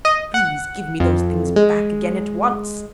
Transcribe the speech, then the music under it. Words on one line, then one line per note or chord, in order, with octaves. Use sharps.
"Please give me those things back again at once!"
D#5
F#5
F2
G#3